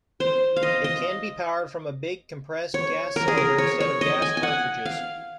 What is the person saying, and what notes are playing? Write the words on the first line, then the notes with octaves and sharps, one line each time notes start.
It can be powered from a big compressed gas cylinder instead of gas cartridges.
C5
F5
D#5
D#5
C#5
A#4
G#4
A#4
C#5
C#5
D#5
G#5
G#5
F#5
F5